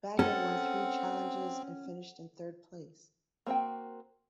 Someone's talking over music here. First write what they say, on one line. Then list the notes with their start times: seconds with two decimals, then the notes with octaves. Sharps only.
Baga won three challenges and finished in third place.
0.19 C4 C#4 A4 F#5
3.47 A#3 C4 D4 F#4 G5